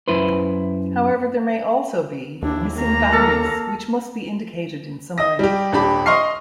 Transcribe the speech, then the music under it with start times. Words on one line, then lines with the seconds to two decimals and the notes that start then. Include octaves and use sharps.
However, there may also be "missing values", which must be indicated in some way.
0.08 F#2 E4 B4 C5
2.42 D#2 D4 E4
2.77 A#3 A#5
3.12 A4 A#4 A5
5.18 D#5 D#6 A#6
5.39 G3 G4
5.72 D#1 D4 G4 B5
6.06 D#5 C6 C#6 F6 C7